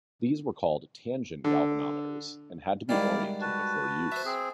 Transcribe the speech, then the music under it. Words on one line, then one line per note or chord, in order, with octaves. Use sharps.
These were called "tangent" galvanometers and had to be oriented before use.
D3
G#2 D#3 G3 E4 D5 F5
F#4 B4 A5
C5 E5
C4 G#4